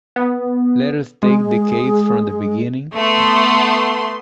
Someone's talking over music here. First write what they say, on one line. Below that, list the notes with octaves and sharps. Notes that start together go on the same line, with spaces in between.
Let us take the case from the beginning.
B3
G#3 G#4
A3 B3 C6